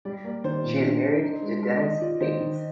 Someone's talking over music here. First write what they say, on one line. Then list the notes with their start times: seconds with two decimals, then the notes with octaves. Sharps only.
She is married to Dennis Bates.
0.05 G3 D5
0.24 A#3 D5
0.44 D#3 C5
0.64 A#2
0.83 D4
1.04 D4
1.23 D#4
1.42 G#3
1.62 G#3
1.81 D#3 D#5
2.01 F4 D5
2.21 D#3 C5
2.40 D#3